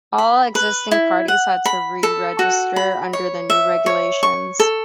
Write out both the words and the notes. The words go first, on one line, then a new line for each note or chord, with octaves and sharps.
All existing parties had to re-register under the new regulations.
B5
B4
E4
F#5
B5
A4
F#4
B5
C#5
E5
C#5
C#6
A4